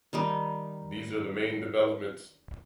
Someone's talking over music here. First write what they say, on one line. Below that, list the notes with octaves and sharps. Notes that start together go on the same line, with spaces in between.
These are the main developments.
D#3 G3 D#4